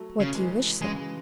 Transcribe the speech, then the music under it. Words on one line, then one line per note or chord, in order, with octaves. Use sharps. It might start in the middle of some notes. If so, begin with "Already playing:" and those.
"What do you wish, sir?"
Already playing: F#3 A3
C#3
E3 G#3
C#3 E3 G#3